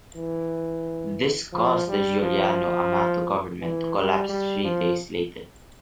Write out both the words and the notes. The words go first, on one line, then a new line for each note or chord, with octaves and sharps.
This caused the Giuliano Amato government to collapse three days later.
E3
F3
G3
F3
E3
G3
G3
F3